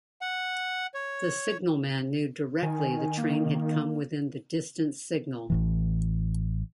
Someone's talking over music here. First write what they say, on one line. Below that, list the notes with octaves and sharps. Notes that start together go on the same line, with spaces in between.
The signalman knew directly the train had come within the distant signal.
F#5
C#5
D#3 G#5
A#3
A1 A2 E3